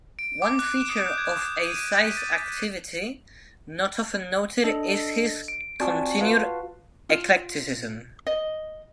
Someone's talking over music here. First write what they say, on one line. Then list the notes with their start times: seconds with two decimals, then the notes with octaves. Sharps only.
One feature of Eisai's activity not often noted is his continued eclecticism.
0.19 D7
0.42 D6
0.59 F#6
0.77 E7
0.89 D#6
1.06 G6
1.18 G#6
1.37 D6
1.67 D#7
1.95 B6
2.17 A6
4.64 D4 A4 D#5
5.48 D7
5.80 C4 F4 F#4 D5 G#5 A5
6.20 F4 F#4 B4 F5 A5
7.09 F4
8.27 D#5